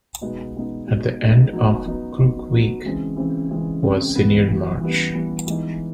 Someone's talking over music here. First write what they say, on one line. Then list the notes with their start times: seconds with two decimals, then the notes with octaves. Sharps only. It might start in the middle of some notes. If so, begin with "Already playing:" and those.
At the end of Crook Week was Senior March.
0.21 B2 G#3 B3 D#4
0.54 B2 G#3 B3 D#4
0.87 B2 G#3 B3 D#4
1.20 B2 G#3 B3 D#4
1.53 F#3 B3 D#4
1.85 F#3 B3 D#4
2.19 F#3 B3 D#4
2.52 F#3 B3 D#4
2.84 C#3 E3 G#3 C4
3.16 C#3 E3 G#3 C4
3.49 C#3 E3 G#3 C4
3.83 C#3 E3 G#3 C4
4.15 E3 G3 B3
4.48 E3 G3 B3
4.80 E3 G3 B3
5.13 E3 G3 B3
5.47 E3 G#3 B3 D#4